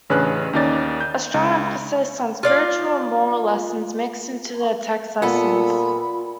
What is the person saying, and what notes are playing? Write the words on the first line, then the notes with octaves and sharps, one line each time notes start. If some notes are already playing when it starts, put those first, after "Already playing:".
A strong emphasis on spiritual and moral lessons mixed into the text's lessons.
A1 C#3 C#4 D4 B4 F#6
D#2 C#4 D#4 D5 A6
G6
C#2
F4 D5 F5
A#2 B3 F4 A4 B5